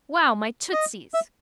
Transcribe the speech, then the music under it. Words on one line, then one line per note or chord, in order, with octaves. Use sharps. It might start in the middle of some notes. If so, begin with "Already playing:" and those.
Wow, my tootsies!
D#5
E5